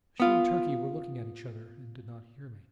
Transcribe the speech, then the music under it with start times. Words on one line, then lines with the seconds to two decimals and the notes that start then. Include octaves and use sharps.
She and Turkey were looking at each other, and did not hear me.
0.20 B3 F4